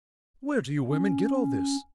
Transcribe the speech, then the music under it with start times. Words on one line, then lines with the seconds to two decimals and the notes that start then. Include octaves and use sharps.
Where do you women get all this?
0.88 C#4